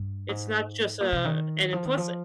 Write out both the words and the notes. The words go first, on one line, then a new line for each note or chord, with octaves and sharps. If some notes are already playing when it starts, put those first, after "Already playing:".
It's not just a and then plus
Already playing: G2
G#2
A#2
C3
D#3
F3
D#3
F3